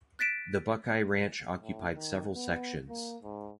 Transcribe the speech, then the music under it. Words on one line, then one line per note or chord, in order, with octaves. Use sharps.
The Buckeye Ranch occupied several sections.
F#6 A6 B6 D7 E7
A2
D#3
B3
A#3
G#2